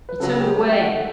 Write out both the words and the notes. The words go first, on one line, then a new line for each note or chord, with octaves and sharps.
He turned away.
B4
C#3 F#3 A4
G4
G5
F#5